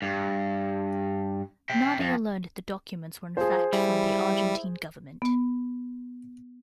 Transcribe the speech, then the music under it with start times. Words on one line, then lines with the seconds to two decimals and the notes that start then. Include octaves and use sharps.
Nadia learned the documents were in fact from the Argentine government.
0.02 G2
1.70 E5 G5
1.99 F2
3.37 F3 G#4 C5
3.73 G3 E4
5.22 B3